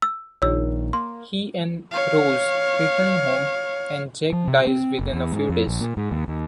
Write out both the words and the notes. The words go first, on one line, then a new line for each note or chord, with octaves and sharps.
He and Rose return home, and Jack dies within a few days.
E6
A#1 D#3 C#5 E6
A#3 C6
C#5 F5
F3
C3
C4
F#1
E2
G#2
F2
A#1
A#2
G#2
D#2
D#2